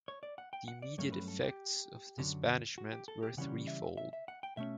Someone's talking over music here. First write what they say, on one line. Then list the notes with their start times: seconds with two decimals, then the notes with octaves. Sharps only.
The immediate effects of this banishment were threefold.
0.08 C#5
0.23 D5
0.38 F#5
0.53 G5
0.68 F#5
0.82 D5
0.98 G2 F#3 A3 C#4 C#5
1.09 C#5
1.12 B4
1.28 A4
1.43 G4
2.18 F#2 D3 F#3
2.78 F#4
2.93 G4
3.08 A4
3.23 G4
3.37 C#3 E3 G3 C#4 F#5
3.67 E5
3.97 E5
4.13 E5
4.28 F#5
4.43 G5
4.57 B2 A3 C#4 E5